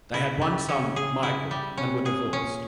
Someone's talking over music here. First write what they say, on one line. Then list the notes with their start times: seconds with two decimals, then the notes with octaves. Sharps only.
They had one son, Michael, and were divorced.
0.14 C#3 E4
0.41 G3
0.68 C#3 C#4
0.96 G#4
1.23 E4
1.51 G3
1.77 C3 C#4
2.06 G#4
2.33 A#2 C#4